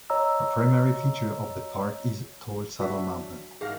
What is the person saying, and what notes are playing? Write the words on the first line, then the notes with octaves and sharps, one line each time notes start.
A primary feature of the park is tall Saddle Mountain.
C#5 D#5 A#5 E6
F#3 D4 F#4 E5 B6
G#2 D#3 G#4 F5 D6 F6 A#6